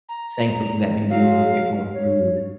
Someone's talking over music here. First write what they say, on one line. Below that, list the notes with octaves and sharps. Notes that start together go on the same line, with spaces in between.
saying something that may be a little bit more rude
A#5
F#3 G#3 F5
C#5